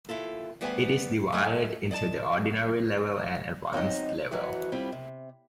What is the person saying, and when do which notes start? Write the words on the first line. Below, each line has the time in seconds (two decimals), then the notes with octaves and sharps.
It is divided into the Ordinary level and Advanced level.
0.09 D#2 E4 F4 A4
0.61 D2 G3 B3 G4 G#4 G#5
1.32 A3 D#5 G#5
1.91 D5 D#5 G#5 A5
3.73 F#3 C4 D#4 D#5
4.31 F2 E3 F#3 F#4 B4
4.72 G3 C4 E4 F4
4.92 C3